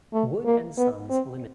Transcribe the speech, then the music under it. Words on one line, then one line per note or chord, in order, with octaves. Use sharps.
Wood and Sons Limited.
A3
A#3
B3
C4